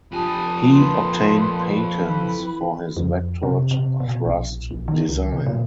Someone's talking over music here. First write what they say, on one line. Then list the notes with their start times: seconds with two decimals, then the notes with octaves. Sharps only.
He obtained patents for his vectored thrust design.
0.12 F2 D4 F4 G4 G#5 A5 B5 D#6
0.70 A#2 B4 C6
1.69 B4 B5
2.17 E3
2.96 F2
3.43 C3
3.71 C3
4.00 B2
4.26 A#1
4.71 A#1
4.88 D#3
5.09 C#2
5.32 C3
5.46 A#2